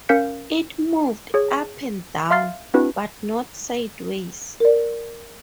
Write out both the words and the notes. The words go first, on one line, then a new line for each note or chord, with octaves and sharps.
It moved up and down, but not sideways.
C#4 A#4 F5 G6 B6 C#7
G#4 C#5
E5 F5 C6 F6 A6 C7
C4 D4 E4 F#4 B4
A#4 D5